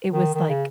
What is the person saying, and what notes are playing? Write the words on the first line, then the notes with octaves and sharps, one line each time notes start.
it was, like
D#3
D#3
C#3